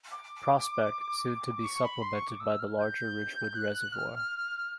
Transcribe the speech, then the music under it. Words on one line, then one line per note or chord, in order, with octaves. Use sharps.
Prospect, soon to be supplemented by the larger Ridgewood Reservoir.
D6
D6
C#6
B5
C6
C#6
D6
E6
F6
G6
F#6
F6